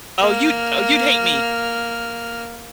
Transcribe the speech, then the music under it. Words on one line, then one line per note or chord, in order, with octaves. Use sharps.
oh, you'd oh, you'd hate me.
A#3 F6